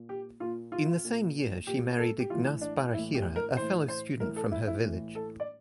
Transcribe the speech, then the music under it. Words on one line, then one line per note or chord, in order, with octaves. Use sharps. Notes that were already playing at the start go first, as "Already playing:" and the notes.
In the same year she married Ignace Barahira, a fellow student from her village.
Already playing: A#2
G4
A#2 F4
F4
A#2
A#2 G4
A4
G4
A2 E3 F4
D4
A2 E3 E4
G4
A#4
A2 E3 C5
C5
A2 E3 A#4
A4
E4
E4
A2 E3
A4
D5